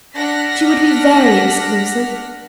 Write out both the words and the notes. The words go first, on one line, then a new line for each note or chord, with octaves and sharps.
She would be very exclusive.
D4 F#5 F6 A#6 B6